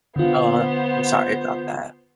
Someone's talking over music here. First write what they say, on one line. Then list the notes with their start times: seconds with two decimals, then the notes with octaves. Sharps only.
Uh, I'm sorry about that.
0.16 D3 B3 F4 C5